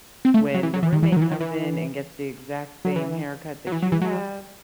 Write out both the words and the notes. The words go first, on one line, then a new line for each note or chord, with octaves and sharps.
When the roommate comes in and gets the exact same haircut that you have,
C4
A3
F#3
E3
F#3
E3
D#3
E3
F#3
D#3
E3
D#3
E3
F#3
E3
F#3
E3
F#3
E3
F#3